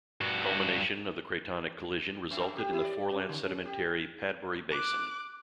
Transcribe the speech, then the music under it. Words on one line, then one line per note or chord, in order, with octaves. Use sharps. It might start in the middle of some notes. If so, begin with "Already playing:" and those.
Culmination of the cratonic collision resulted in the foreland sedimentary Padbury Basin.
G2 F#4
F#2
G4
E4
D5
C#4
D3
C#4
G4
D6 F#6